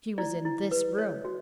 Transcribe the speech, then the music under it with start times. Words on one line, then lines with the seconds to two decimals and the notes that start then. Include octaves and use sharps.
She was in this room.
0.18 E4 D5
0.45 E4
0.71 B4
0.98 C#5
1.25 F#4